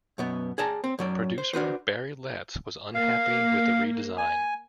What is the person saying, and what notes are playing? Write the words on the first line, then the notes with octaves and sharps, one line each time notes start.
Producer Barry Letts was unhappy with the redesign.
F#2 B2 B3
G#4 D5 A5 A#5
C4
F#2 F#3 D5
C5
D4 F#4 B4 C5
A#3 F5
G#5